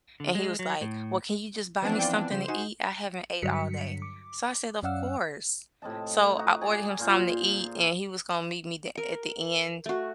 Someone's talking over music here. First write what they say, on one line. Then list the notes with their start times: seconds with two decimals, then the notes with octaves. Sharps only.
and he was like, "Well, can you just buy me something to eat? I haven't ate all day." So I said, "Of course." So, I ordered him something to eat, and he was gonna meet me the at the end,
0.20 D3
0.35 G#3
0.59 F#3
0.81 A2
1.82 E3 F3 B3 C4 D4
1.99 F4 G5
2.31 C#3 F3 F4 C5 E7
2.48 D#4 F#4 F#5 G#5
3.42 G2 D3 F#3 B6 C#7
4.02 D6
4.83 F#2 C#4 D5 F5 F#5 E6
5.82 A2 C3 D#5 A5
6.37 D#4 F#4 A#5
6.61 G#4 D5 G#5
6.99 A#2 F4 C5
8.97 A#4
9.86 A3 F#4